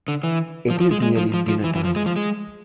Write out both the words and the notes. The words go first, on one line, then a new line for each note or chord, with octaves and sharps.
It is nearly dinner-time.
D3
E3
F3
F3
G#3
G#3
F3
F3
F3
E3
E3
F3
G#3
F3
G#3